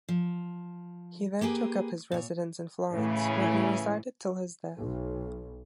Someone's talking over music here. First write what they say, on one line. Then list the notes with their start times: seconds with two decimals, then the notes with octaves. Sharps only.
He then took up his residence in Florence, where he resided till his death.
0.09 F3
1.41 A#3 G4 G#4 B4
2.12 A#2 C#5
2.93 A2 C#3 E3
4.79 B1